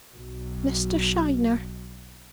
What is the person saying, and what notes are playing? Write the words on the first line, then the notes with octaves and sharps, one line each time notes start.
"Mr. Shiner."
B1 F#3